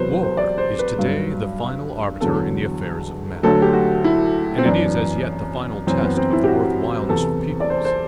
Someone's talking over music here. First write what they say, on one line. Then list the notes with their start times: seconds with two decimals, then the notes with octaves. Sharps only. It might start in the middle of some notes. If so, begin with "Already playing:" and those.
War is to-day the final arbiter in the affairs of men, and it is as yet the final test of the worth-whileness of peoples.
Already playing: E2 C3 F#3 B4 C5
0.23 C5
0.37 D5
0.58 C5
0.79 B4
0.98 G2 F#3
2.21 E2 D3 F#3 A4
3.43 D2 D3 F#3 A4
3.62 G4
3.73 F#4
4.04 E4
4.58 C4
4.65 F#2 E3 D4
5.87 F#2 E3 C4
6.02 B3
6.17 C4
6.33 E4
6.43 G4
6.48 F#4
7.09 E2 C3 E3 A4
7.60 D5
7.70 C5
7.85 C5